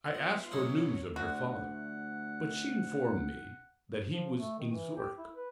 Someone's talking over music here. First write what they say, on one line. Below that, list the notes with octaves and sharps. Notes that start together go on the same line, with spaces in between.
I asked for news of her father, but she informed me that he was in Zurich.
B3 F4 E5
B2 F#3 D#4 E4 G#4 C#5
D2 F#4 F#5
F3
A3
D#3
E3
G4
E4
B4